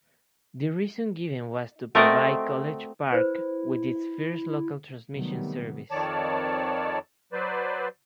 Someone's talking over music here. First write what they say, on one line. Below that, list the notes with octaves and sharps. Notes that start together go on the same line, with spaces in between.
The reason given was to provide College Park with its first local transmission service.
A3 C4 F#4 A#4 D5 D#5
E4 B4 C5
C3 D#3 F#3 G3 A3 B3
F2 D#3 C#5 D5 A5
F#3 B4 C5 D5